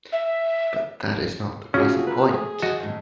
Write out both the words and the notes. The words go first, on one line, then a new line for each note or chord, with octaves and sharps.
But that is not the present point.
E5
A3 C#4 F4 F#4 G#4
A#4 B4
G#4
E3 F3 F#4 D#5
A2 D#3